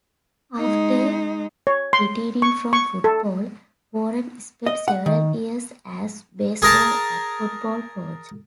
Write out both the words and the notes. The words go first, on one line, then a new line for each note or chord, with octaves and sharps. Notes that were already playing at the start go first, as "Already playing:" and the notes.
After retiring from football, Warren spent several years as baseball and football coach.
G#3 D#4
C#5
C6
C#6
C#6
A4
D#5
F#5
D#3
G#4 A#4 A5